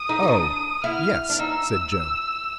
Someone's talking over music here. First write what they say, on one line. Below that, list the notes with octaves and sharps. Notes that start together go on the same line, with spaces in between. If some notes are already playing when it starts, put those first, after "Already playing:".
"Oh, yes," said Joe.
Already playing: D#6
D#4
D#4
D4
E4 F6
D4
D#4 E6